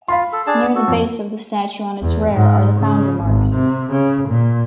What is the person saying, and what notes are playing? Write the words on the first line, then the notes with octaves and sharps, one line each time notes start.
Near the base of the statue on its rear are the foundry marks.
F4 F5 B5 C6
A4
D4 G#4 A5
F#4 A4
F2
E2
G#2
C#3
G#1
C3
C#3
A#2